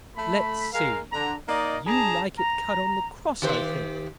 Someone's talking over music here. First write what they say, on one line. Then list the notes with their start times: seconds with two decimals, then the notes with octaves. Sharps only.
Let's see; you like it cut on the cross, I think?
0.16 A3 B5
0.73 G#3 A#4 F5
1.11 D3 A#5
1.48 A#3 D#4 D5 D#5
1.87 D4 G#4 A5 A#5
2.37 A#5
3.42 D#3 G4 C5